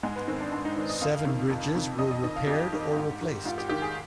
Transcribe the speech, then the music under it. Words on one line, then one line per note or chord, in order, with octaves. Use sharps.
Seven bridges were repaired or replaced.
G#2 G#3
B3
D#3 C4
D4
G#2 D4
D#4
D#3 D5
D#5
F2 F5
C3 D#3
F2
C3 D#3
F2 D#5
D#5
D#3 D#5
F5
F2 G4
D#3
G#2
D#3
G#2 F4
G4
D#3 G4
G#4